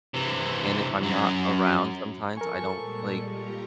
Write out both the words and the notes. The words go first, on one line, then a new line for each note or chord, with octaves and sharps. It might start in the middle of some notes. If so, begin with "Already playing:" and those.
And if I'm not around sometimes, I don't, like,
C3 E3
F#2 F#3
F3 A4 A#4 G#5 C#6
A#2 G3 G#3
F4 G4 A#5